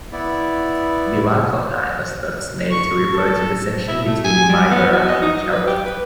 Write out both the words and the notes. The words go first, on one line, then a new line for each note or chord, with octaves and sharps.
Biwako Line was thus made to refer to the section between Maibara and Kyoto.
B3 E4 D5
C#6
A4
E5
A3
G#5
G3
B3
F#4
D#5
D#4
F#3
B4
G4
B4